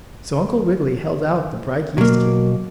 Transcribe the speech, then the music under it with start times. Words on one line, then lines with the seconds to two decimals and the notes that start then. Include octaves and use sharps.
So Uncle Wiggily held out the bright yeast cake.
1.98 B2 F#3 A#3